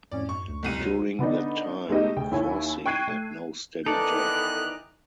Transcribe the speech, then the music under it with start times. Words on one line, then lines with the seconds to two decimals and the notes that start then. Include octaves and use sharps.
During that time Forssi had no steady job.
0.12 F2 A2 C#4 D5
0.29 F#2 C#6
0.48 D2
0.63 F#1 C2 D#7
0.80 F#3
1.19 D3 B3 D4 D#4
1.89 G#3 A3 B3 D#4 G4
2.16 D2 G#4 G5
2.31 D#2 E4 C#5 G#5
2.86 G5 C#6 F#6 G#6 C7 D#7
3.07 A3
3.86 D#3 E3 B3 D#4 A4 D5 F#6